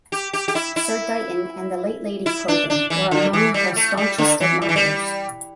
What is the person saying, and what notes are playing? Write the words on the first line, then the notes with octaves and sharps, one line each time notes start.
Sir Dighton and the late Lady Probyn were among her staunchest admirers.
G4
G4
G4
E4
E4
E4
D4
D4
E3
D3
E3
G3
A3
G3
D3
E3
G3
E3
G3